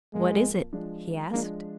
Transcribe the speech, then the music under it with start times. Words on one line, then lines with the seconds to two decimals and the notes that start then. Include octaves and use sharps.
"What is it?" he asked.
0.13 F2 F3 G#3 A#3
0.73 F3 G#3 D4
1.31 F3 G#3 A#3 D4